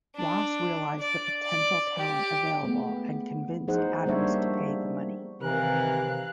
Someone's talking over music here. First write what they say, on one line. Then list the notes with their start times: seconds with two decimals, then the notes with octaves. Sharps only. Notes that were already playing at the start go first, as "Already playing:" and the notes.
Ross realized the potential talent available and convinced Adams to pay the money.
0.15 D4
1.01 D5
1.45 D5
1.99 G4
2.63 G#3 A3 B3
3.68 F3 D#4 G#4 C5 F#5
4.06 G3 A#3 D4 C5 C#5 E5
4.25 A#3
5.41 C3 D#3 E3 A#4 F5 F#6